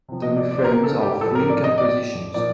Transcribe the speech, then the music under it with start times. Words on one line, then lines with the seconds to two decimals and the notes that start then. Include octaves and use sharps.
The refrains are free compositions.
0.08 C3 F3
0.22 D#5
0.37 D5
0.51 D5
0.59 C5
0.64 A#4
0.84 A4
1.02 G4
1.21 A2 F3 A4
1.35 A#4
1.50 D5
1.64 D#5
1.78 D5
2.34 A#2 F3 D5